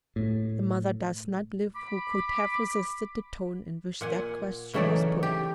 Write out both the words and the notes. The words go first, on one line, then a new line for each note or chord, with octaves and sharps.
The mother does not live who could have resisted the tone in which that question was put.
A2
B5 D6
A#2 F#5 G#5
C#3 E3 F#3 A3 D#4 D5
C3 G4